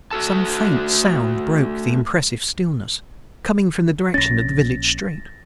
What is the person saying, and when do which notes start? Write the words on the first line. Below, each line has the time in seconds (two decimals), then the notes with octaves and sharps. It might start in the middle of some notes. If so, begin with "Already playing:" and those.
Some faint sound broke the impressive stillness, coming from the direction of the village street.
0.11 A3 F#4 A4 A5
4.14 A#1 C#4 A6 A#6